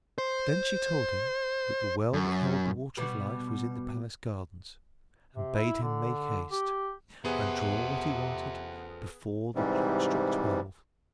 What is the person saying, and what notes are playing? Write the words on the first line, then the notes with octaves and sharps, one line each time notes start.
Then she told him that the well that held the Water of Life was in the palace gardens; and bade him make haste, and draw what he wanted before the clock struck twelve.
C5
F#2
B2 G3 B3
C3
E4
D3
G4
C3 B3 G#4 A4 C5 F#5
G#2 C3 E3 G3